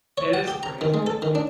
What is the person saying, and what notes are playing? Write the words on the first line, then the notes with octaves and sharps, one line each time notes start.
It is crazy, I think,
C#5
F#5
G4
A#5
D#3
G#3
A4
D#3
D4